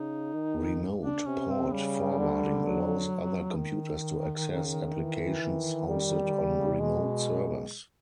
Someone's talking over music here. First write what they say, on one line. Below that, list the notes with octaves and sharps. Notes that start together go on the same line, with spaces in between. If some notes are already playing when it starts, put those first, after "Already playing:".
Remote port forwarding allows other computers to access applications hosted on remote servers.
Already playing: C#3 D#4
D#3
D4
C3 C#4
C4
C#3 G3
D3
F#3
D#3
C#3
E3
D#3
G3
D3
C#3
C#3
C3
B2 G#3